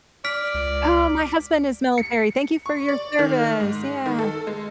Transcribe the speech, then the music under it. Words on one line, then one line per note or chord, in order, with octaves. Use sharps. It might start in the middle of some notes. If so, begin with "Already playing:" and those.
Oh, my husband is military. Thank you for your service, yeah.
D5 F6 B6 D7
C#2
C#7
C#6
D5
D#3
G#2
D#3
A4
G#3